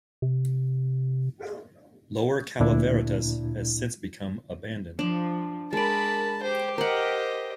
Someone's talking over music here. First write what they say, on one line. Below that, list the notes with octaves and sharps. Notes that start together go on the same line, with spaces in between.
Lower Calaveritas has since become abandoned.
C3
D2 A#2 D4 E4
F3 D4
G#3 A#4 D5 A5 B5
G4 C5
A#4 C5 D#5 F#5